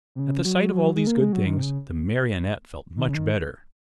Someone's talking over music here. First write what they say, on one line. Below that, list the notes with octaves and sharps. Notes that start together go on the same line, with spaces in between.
At the sight of all these good things, the Marionette felt much better.
C3
C#3
F#3
G#3
A#3
G#3
F#3
D#3
C3
C#3
D#3
C#3
D#3